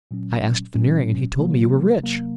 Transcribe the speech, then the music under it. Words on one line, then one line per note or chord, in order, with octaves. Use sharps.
'I asked Veneering, and he told me you were rich.'
A#2 F#3 C#4
A#2 F#3 C#4
C3 F#3 A#3
C3 F#3 A#3